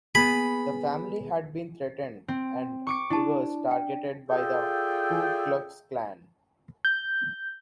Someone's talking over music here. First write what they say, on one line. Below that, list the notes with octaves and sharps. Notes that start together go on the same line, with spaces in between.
The family had been threatened, and Evers targeted by the Ku Klux Klan.
B3 G#4 B5
C4
C#6 D6 C#7
D4 E4 A5
G5
F4 G#4 A4 D5 E5 G5
G6